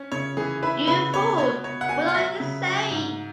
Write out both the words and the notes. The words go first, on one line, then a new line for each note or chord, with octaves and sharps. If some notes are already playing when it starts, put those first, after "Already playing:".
You fool! What are you saying?
Already playing: C#4
C#3 C#5
E3 G#4
E4 B4
C#3 B4
B3 C#5
B2 C#5
B2 C#5
F#5
B2 G#5
F#5
F#3 E5
C#3
F#3
G#2